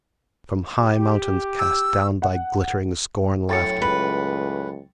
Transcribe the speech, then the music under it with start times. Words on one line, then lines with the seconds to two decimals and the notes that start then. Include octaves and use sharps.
From high mountains cast down thy glittering scorn-laughter!
0.81 G4
1.59 E6
2.22 F#5
3.49 F#2 A2 G5 A6 C#7
3.82 C#2 B4